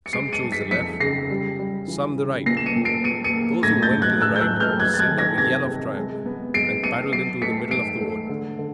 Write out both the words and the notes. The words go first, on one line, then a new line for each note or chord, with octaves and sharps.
Some chose the left, some the right; those who went to the right sent up a yell of triumph, and paddled into the middle of the water.
C#7
G#3 C7 D7
C#7 D#7
G#3
B6 C#7
F2 B6 C#7
C#3 A#6 C7
G3
G3
E3
C#3
A#2 A#6 C7
E7
C#7 D#7
A#2
C7 D7
A#2 C#7 D#7
C#7 D#7
A#3
A2 G#6 A#6
G6 A6
A2
F#6 G#6
A2 E6 F#6
G6
E6 F#6
A2
F6 G6
F#3 F#6 G#6
A6
F#6 G#6
D#3
G#6 A#6
C3 G#6 A#6
C3
G#3
B3
G#3 C7 D7
B3 C#7 D#7
F#3 C7 D7
A3 B6 C#7
G#2 C7 D7
A3
D3
D3